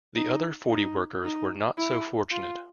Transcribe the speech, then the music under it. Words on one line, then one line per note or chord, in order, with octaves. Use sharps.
The other forty workers were not so fortunate.
D#4
D#4
D#4
E4
F4